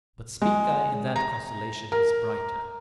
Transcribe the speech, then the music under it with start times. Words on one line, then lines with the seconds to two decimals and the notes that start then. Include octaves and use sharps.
But Spica in that constellation is brighter.
0.42 G#3
1.16 A#5
1.92 A#4